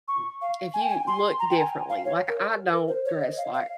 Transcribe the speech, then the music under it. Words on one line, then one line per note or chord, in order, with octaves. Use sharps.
mm if you look differently like, I don't dress like
C#6
F5
G#5
G5
G#5
C6
A#5
G5
G#5
F5
C#5
A#4
A#4
C5
C#5
D#5
F5
F5